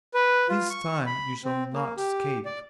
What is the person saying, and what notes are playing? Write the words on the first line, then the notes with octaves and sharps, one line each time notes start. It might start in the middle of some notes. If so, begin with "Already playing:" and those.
This time you shall not escape.
B4
F4
C#6
B5
C4
A#3
G4
D5